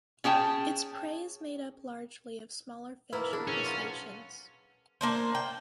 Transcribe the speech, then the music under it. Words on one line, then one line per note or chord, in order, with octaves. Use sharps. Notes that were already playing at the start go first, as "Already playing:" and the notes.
Its prey is made up largely of smaller fish and crustaceans.
C#4 G#4 G5 A5
B2 A#3 E4 B4 A#5
D4 E4 G#4
C#4
F#3 F4
A#3 D4 C5
G5